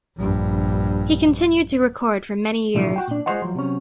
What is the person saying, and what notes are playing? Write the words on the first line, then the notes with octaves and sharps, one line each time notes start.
He continued to record for many years.
A#1 G2
B1 A2 D3 F3 F#3 A3
F#4 G5
A#2 D4
G#3 F4 G#4 C5 D#5 F#5
F3 F#3
C3 F#3 C#4